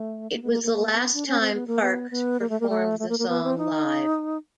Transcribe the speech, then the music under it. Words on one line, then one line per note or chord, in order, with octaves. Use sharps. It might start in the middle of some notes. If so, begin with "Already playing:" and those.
It was the last time Parks performed the song live.
Already playing: A3
A#3
B3
A#3
A#3
B3
D4
C#4
C4
B3
A#3
B3
B3
A#3
A3
A#3
A3
A3
A#3
A#3
B3
C4
D#4